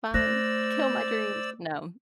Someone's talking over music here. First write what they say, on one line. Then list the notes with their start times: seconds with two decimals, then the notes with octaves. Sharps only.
Fine. Kill my dreams, no.
0.14 A3 C5 D5 E6 F#6 A#6